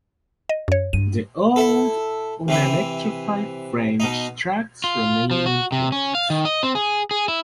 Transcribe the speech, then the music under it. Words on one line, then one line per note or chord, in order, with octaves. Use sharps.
The old, unelectrified, French tracks remain in place.
D#5
F#2 C#5
G2 D#7
E4 A4
C3 E3 E4
B2 D#4
F4
F3
F#4
C3
C#4
F5
D#3
D#5
C4
G#4
G#4
E4